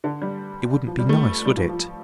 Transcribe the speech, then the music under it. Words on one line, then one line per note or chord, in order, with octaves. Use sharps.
It wouldn't be nice, would it?
D3
G3
F3
G3
A3
G3
F3
F3